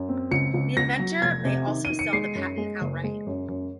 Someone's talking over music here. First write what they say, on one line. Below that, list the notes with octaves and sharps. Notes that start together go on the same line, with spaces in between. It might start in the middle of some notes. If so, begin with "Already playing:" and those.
The inventor may also sell the patent outright.
Already playing: F#2
C4
C#2 C#7
C#2
C#2 A#6
F#3
F1 G#6
C3
D#3
D#7
D#3
C#7
G#3 C7
F#2
G#3
F#1
G#3
F#2
F#2